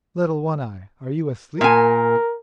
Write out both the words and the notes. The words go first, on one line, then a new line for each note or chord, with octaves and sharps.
Little One-eye, are you asleep?'
A#2 A#4 G#5